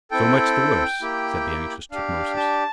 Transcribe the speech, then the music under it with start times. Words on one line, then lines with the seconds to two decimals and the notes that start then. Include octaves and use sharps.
"So much the worse," said the anxious Tutmosis.
0.11 C4 E4 A4 G5
1.01 A#3 E4 G4
1.91 D4 G4 F5
2.37 A5